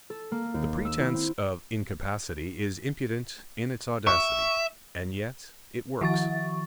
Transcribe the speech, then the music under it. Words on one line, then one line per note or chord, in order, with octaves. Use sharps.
The pretense of incapacity is impudent in its audacity, and yet it works.
A4
A#3
D#2
E6
E4
C4
E5 C#6
D#3 F3 C#6 A6